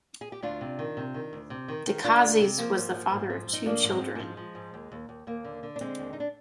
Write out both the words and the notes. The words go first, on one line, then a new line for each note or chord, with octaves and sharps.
Decazes was the father of two children.
G#4
G4
D2 D4 F4
C3
D#3
C3
D#3
D2
C3
D#3
D#3
D#3 D4 F4
D2
C3
F3 A#3
G#2
F3
G#2
F3
G#2
D#4
F3 A#3 D4
G#2
G#3 C4
G#2
A#3
F3 G#3
F3
G#2
D#2
D#2
D#2
D#2 A#3
D3
D3
D4
D3 G#3 C4
D#2
D#4
D4